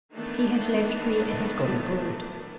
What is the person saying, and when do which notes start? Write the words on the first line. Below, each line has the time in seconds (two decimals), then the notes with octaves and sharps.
"He has left me, and has gone abroad."
0.13 D#3 E3 A3 B3 D4